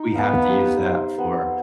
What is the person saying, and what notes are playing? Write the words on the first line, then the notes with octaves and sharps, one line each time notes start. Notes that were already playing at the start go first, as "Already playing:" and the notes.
we have to use that for,
Already playing: D#4
B3 F5
G4
C5
B3